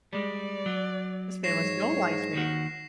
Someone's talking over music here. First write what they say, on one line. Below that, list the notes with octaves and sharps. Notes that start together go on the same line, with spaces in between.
This man was no lifing.
G3 G#3 D5
F#3
G#2 C#5 A#6 C7 E7
D#2 D#3 F#4